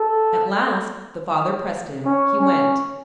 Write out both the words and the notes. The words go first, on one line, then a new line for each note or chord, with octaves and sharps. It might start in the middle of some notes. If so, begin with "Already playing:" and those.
At last--the father pressed him--he went.
Already playing: A4
C#4
C#4